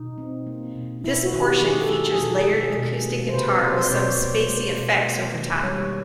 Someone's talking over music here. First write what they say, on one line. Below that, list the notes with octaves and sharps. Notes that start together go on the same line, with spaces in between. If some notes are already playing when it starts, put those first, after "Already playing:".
This portion features layered acoustic guitar with some spacey effects overtop.
Already playing: B2 D#4
C4
A#3
B2
B3 E4
F#4
D#3
G4
D#3 G#4
A4
D#3
G#4
B2 A4
G#3
B2
A#3
C5
C3 B4
C3
C5
D5
B2 C#5
A#3
G#3
B2
A#3
D#3
G3 C#5